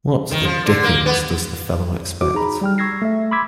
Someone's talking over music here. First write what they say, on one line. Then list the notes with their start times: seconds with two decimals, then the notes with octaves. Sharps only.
What the dickens does the fellow expect?
0.31 D#3
0.45 F3
0.66 D3
0.84 A#3
1.06 B3
2.21 F#4 D6
2.34 D#4 G#4 A#5 B5
2.61 G3 G5 F6
2.78 C#6 E6 G#6 A#6 C7
3.02 A3 E5
3.31 B5 C6 D6 E6 G#6 B6